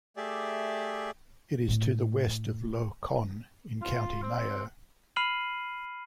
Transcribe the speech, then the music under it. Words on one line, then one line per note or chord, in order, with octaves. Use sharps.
It is to the west of Lough Conn in County Mayo.
A3 G4 G#4 D5 E5
A2 A3
F4
C4
B5 F6 C7 D#7 F#7